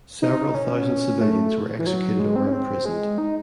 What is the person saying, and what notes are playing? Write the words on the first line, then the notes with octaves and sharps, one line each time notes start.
Several thousand civilians were executed or imprisoned.
D#4
C#4
A3
E3
F#3
G#3
C4
C#4
C4
G#3
D#4